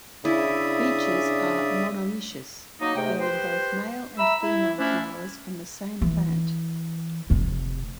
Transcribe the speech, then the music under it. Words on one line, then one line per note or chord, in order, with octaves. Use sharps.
Beeches are monoecious, bearing both male and female flowers on the same plant.
C#3 D4 E4 D5 E5 D#6
F#3 A#3 D#4
G#2 C3 A3 G5
G4 B4 C5
E5 A#5 B5 E6
E4
F3 A3 C#4 D4 E4
E3
F1 C3